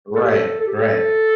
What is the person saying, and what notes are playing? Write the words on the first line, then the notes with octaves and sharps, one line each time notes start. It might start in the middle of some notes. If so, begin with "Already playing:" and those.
Right, right,
A4
G4
A4
A4
G4
A4